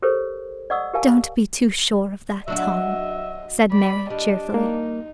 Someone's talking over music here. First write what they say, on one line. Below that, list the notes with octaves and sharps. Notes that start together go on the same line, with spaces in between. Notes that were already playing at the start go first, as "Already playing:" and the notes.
"Don't be too sure of that, Tom," said Mary, cheerfully.
G4 A4 A#4 C5 C#5
D5 D#5 F#5 C#6 D#6 E6
G4 A#4 F5 G#5 A5
F#3 D4 F#4 D#5 E5
D5 B5
G3 D4 D#5
A#3 D#4